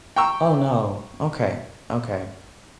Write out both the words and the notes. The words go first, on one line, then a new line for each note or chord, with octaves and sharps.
Oh, no. Okay, okay.
G5 A#5 C#6 E6